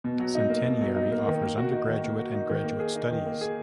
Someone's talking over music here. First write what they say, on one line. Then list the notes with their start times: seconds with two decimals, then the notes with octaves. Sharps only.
Centenary offers undergraduate and graduate studies.
0.04 B2
0.19 F#3
0.35 D#4
0.50 A#3
0.66 B2
0.81 F#3
0.96 D#4
1.12 A#3
1.27 D#3
1.42 A#3
1.57 F#4
1.73 D#4
1.88 D#3
2.04 A#3
2.19 F#4
2.34 D#4
2.50 D#3
2.64 A#3
2.80 G#4
2.95 D#4
3.10 D#3
3.26 A#3
3.41 G#4